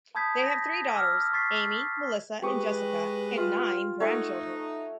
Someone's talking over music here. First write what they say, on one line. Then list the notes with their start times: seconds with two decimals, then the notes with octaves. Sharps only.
They have three daughters, Amy, Melissa and Jessica and nine grandchildren.
0.15 A5 B5 D#6 G6 G#6 B6
0.41 G6 A#6 B6
0.94 D6 E6 F6
1.33 C#6 A6 B6 C7
2.42 G#3 G4 B4 C#6 D#6
3.37 F4
4.00 A3 D#4 C#5 F#5